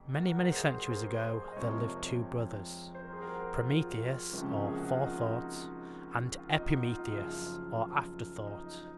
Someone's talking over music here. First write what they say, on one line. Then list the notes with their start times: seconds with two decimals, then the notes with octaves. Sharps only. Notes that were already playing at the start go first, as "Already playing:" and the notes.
Many, many centuries ago there lived two brothers, Prometheus or Forethought, and Epimetheus or Afterthought.
Already playing: F1 F2
0.18 F#4 A#4
0.52 G#4 C5
0.77 A#4
0.87 G#4 C5
1.52 D#5
1.56 F2 C3 F3 G#3 C4 A#4 C#5
2.95 C5
3.03 A#4
3.13 G#4
3.22 F#4 A#4
3.63 F4
4.32 C#2 C3 F3 A#3 C#4
4.63 G#4
4.75 F#4
4.88 F4
5.02 D#4
6.40 F4
6.57 D#4 F#4
6.85 F4
6.91 D#4
7.09 F#1 F#2 F3 F4
8.47 D#4